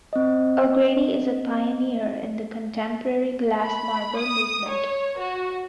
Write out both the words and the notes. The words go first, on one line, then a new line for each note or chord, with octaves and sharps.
O'Grady is a pioneer in the contemporary glass marble movement.
C4 D#5
B5
D#6
C#5
F#4